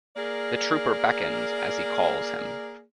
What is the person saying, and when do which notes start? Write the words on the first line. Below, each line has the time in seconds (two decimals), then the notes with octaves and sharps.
The trooper beckons as he calls him.
0.15 A#3 G#4 A#4 D5